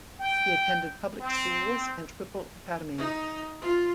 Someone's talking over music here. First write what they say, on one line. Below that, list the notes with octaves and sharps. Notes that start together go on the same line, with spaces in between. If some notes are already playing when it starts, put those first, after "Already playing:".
He attended public schools and Whipple Academy.
G5
C4
D#4
F4